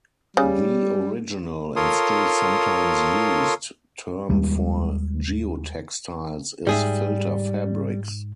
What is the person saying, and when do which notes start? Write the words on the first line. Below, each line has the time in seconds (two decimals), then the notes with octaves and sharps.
The original, and still sometimes used, term for geotextiles is "filter fabrics".
0.37 C#3 G3
1.76 F4 A4 A#4 C#5 C6 D#6
4.30 D#2 G3 G#3
6.67 G#2 G3 G#4 E5